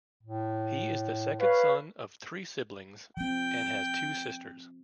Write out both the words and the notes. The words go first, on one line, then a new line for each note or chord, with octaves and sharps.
He is the second son of three siblings and has two sisters.
A2
B4 C#5 F5
F3 C4 G5